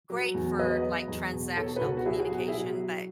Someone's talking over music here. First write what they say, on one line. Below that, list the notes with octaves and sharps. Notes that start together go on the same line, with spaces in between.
great for, like, transactional communication, but,
F#3
E2
F#3 B4 D#5
F#3
E2
B2
B2 A4 C#5
B4
C#2 F#4 A4
F#4
F#3 E4 G#4
G#4
B2 F#4
E4 G#4
F#3